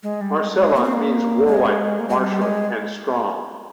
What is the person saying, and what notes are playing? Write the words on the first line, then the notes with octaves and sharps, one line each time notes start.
Marcella means warlike, martial, and strong.
G#3
G3
G#3
G#3
A#3
C4
A#3
G#3
A#3
G#3
G3
G#3